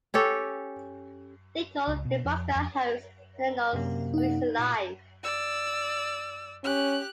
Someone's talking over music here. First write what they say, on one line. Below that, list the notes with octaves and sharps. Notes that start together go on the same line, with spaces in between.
Lincoln, Nebraska hosts an annual Streets Alive!
C#4 G4 A4 C#5
C#2
B2
F2
F2
F#2 C3 A#3
D#4 F#5
A#2 D#6
D5 E6
C#4 G4 F#6